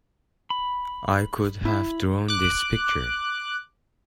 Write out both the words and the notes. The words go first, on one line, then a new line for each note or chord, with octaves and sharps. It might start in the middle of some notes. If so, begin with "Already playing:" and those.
I could have drawn this picture!
B5
E4
D6 F#6